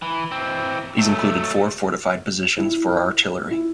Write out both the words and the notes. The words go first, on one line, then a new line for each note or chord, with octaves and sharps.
These included four fortified positions for artillery.
E3
E3 C4
F#3 A3
E4
E4